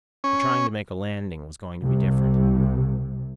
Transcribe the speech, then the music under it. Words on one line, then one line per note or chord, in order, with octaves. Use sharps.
But trying to make a landing was going to be different.
C#4
C2 C3